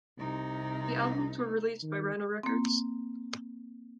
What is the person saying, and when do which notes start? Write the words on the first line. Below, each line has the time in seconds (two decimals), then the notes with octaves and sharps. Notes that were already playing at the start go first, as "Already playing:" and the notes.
The albums were released by Rhino Records.
0.18 C2 C3 D#4
1.83 D#3
2.43 A#3 C4